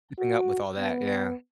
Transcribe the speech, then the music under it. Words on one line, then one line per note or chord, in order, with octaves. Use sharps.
keeping up with all that, yeah.
F#4
B3